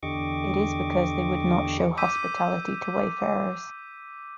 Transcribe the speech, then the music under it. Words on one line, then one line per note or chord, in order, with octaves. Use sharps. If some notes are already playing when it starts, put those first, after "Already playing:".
It is because they would not show hospitality to wayfarers.
E2 D3 G4 D#5 C#6 D6
D6 E6 G6 B6 D#7